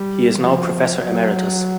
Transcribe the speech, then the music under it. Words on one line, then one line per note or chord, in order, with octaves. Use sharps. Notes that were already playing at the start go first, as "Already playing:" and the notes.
He is now professor emeritus.
Already playing: G3
F3
F#3